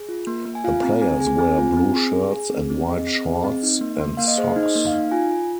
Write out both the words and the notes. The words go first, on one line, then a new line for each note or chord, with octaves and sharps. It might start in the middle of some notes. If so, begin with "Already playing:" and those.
The players wear blue shirts and white shorts and socks.
Already playing: G#4
F4
A#3
A#3
G#5
F4 F5
C4 A#5
C4 G#5
G#4 G#5
C4 G#5
F4
C4
G#4
G#4
G#4
C4
C4
G#4 D#5
C4
G#4
C4
D#4
A#3
A#3
A#3 F5
D#5
G#4 C5
D#4
D#5
A#3
F5
D#4
F4 G#5
F4